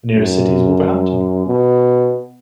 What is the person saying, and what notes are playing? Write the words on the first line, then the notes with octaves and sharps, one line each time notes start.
The nearest city is Wolverhampton.
F#2
B2